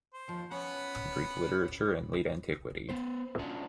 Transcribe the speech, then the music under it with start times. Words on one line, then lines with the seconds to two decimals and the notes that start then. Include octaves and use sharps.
Greek Literature in Late Antiquity.
0.13 C5
0.28 D#2 F3
0.51 B3 C#4 C#5 F#5 B5
2.89 B3 C5
3.39 C#4 D4 F4 F#4